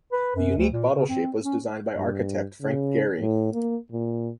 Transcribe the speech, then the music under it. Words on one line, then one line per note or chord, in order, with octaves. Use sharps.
The unique bottle shape was designed by architect Frank Gehry.
B4
F#2
D2
A#2
C#3
C4
C#4
G2
C#3
A2
A#3
A#2